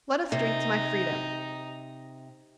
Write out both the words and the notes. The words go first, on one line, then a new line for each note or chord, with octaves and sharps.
Let us drink to my freedom.
C3 D#4